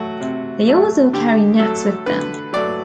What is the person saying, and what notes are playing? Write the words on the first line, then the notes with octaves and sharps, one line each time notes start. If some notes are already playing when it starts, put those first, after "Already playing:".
They also carry nets with them.
Already playing: F#3 A3 F#4
C3
F#3 A3
D3 G4
F#3 A3 A4
D3 B4
F#3 A3 D5